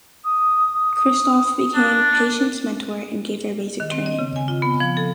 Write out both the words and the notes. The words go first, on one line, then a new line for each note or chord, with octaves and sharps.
Kristof became Patience's mentor and gave her basic training.
D#6
D4
D#3
C4
D#5
C#3
G#5
F4
B3
F3
A4